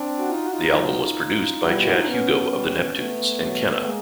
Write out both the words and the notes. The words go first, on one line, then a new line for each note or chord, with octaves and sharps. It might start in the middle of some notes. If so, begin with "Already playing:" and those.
The album was produced by Chad Hugo of The Neptunes and Kenna.
Already playing: C4 D4
F#4
D#4 F4
F#4
D#4 F4
B2 F#3
B2 G3 E4 F#4
F4 G4
E4 F#4
D#4 F4
D4
B3 C#4
B2 G3
C4
A3 B3
B2 F#3
G#3 A#3